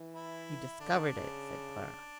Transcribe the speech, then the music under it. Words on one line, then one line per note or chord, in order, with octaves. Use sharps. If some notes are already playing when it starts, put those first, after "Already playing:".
"You discovered it!" said Clara.
Already playing: E3
E4
D3 D4
C#3